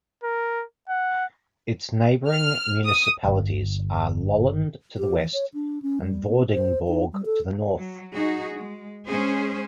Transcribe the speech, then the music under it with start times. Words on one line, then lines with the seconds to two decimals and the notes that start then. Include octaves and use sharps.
Its neighboring municipalities are Lolland to the west and Vordingborg to the north.
0.24 A#4
0.89 F#5
2.28 F6
2.85 D#6
3.24 D1 G1
4.97 G4
5.18 E3
5.33 C#5
5.54 D4
5.82 C#4
6.01 G3
6.28 B3
6.52 C5
6.88 D#4
7.13 G3
7.25 A4
7.78 F#3
8.14 D#4 F#4 G#4
8.55 G#3
9.07 G#3 C#4 G#4 C5